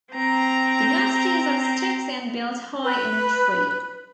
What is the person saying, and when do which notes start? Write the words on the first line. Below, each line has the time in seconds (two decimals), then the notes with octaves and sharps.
The nest is of sticks and built high in a tree.
0.14 C4 A#5
2.84 B4